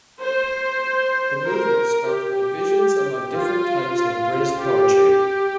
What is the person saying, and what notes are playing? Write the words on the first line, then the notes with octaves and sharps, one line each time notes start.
The Movement sparked the divisions among different types of British poetry.
C5
A#4
G4
F4
G4